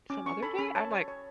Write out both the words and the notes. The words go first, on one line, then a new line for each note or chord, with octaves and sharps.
some other day?" I'm like
C#4 D6
C#4 C#6
A4 B5
C#4 B5
C#5 A5
C#5
C#5